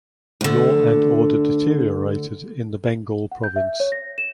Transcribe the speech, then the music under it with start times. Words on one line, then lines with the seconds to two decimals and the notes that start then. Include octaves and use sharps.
Law and order deteriorated in the Bengal province.
0.41 D2 D3
3.32 F#5
3.44 G6
3.56 E5
3.80 C#5
3.92 A#6
4.18 E7